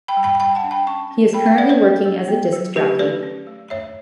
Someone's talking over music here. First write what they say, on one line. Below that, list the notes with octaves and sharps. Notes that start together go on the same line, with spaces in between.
He is currently working as a disc jockey.
G5 B5
G3
G5 B5
G3 G5 B5
F#5 A5
D4
G5 B5
C#4 A5 C#6
C#4
G3 G5 B5
E5 G5
C#4 D5 F#5
B4 D5
B3
F#3
B3
F#3
A3 G4 B4
A3 B4 D5
C#4
A3
A3 C#5 E5